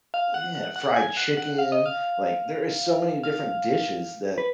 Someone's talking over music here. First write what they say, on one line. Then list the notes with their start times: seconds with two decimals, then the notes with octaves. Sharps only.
Yeah, fried chicken, like there is so many different dishes that
0.14 F5
0.34 F#5
0.55 F#5
0.76 F#5
0.96 G#5
1.17 F#5
1.37 F#5
1.58 F5
1.72 D#5
1.86 F5
3.23 F5
4.38 B4